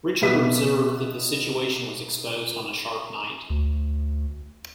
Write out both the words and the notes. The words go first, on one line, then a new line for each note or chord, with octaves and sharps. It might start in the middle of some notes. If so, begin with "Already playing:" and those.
Richard observed that the situation was exposed on a sharp night.
B2 B3 E5 B6 D#7
D2